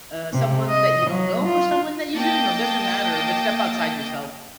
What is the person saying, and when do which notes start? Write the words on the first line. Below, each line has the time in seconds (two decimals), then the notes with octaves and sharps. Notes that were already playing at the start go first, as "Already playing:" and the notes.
uh, someone that you don't know or someone that you do know. It doesn't matter, but step outside yourself.
0.33 C3
0.69 D#5
1.11 F#3
1.45 F4
2.16 A#3 D#5 G5 A5